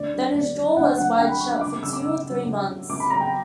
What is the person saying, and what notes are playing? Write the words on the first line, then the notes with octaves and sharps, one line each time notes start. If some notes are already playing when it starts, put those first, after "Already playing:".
Then his jaw was wired shut for two or three months.
Already playing: D2 D5
D3 F#3
D2 D5
D3 F#3
D2 F#5
D3 F#3 F#5
D2 G5
B5
D3 F#3 C#6
C#2 D6
D6
C#3 F#3 E6
D6
C#2
C#3
F#3
C#2
C#3 F#3
C#2 D6
B5
C#3 F#3 A#5
G5